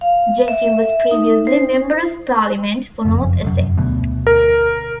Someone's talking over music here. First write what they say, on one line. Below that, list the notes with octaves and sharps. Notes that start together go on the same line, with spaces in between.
Jenkin was previously Member of Parliament for North Essex.
F5
E5
D#4
C5
F#1 F2
F1 F#2
D2 B2
A#4